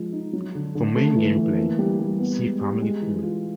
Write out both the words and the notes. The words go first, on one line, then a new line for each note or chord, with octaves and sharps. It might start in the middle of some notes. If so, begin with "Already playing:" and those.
For main game play, see Family Feud.
Already playing: F3 G#3
D#4
F#3
D3
D3
A3
E3
E3
A#3
G3
G3
B3
G#3
G4
G#3
E3
F4